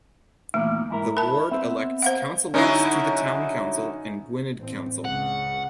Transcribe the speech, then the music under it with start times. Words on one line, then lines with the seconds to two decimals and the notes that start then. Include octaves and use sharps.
The ward elects councillors to the town council and Gwynedd Council.
0.54 E2 A#2 D#3 A3
0.90 G#2 E4 A#4
1.17 E4 A#4 A5
1.51 B3 C4 E5
2.02 C5 F5 F#5
2.54 D3 F#3 C#4 D#4 E4
4.58 A1 C4
5.05 C#2 C#3 F#5